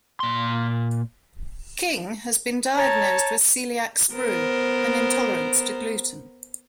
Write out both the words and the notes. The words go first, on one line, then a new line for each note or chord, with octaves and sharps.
King has been diagnosed with celiac sprue, an intolerance to gluten.
A#2 C6
C#5 A5 A#5
B3 A#4 C5